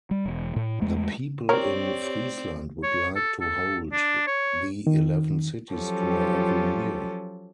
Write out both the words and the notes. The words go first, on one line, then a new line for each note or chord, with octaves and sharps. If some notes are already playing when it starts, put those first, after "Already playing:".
The people in Friesland would like to hold the Eleven Cities Tour every year.
G3
E1
A2
E2 G#3 A3
C4 G4 A#4 C#5 D5
C#5
A4
A4
D4
C#5
D#3
F3 F#3 C#4 F4 G4 A4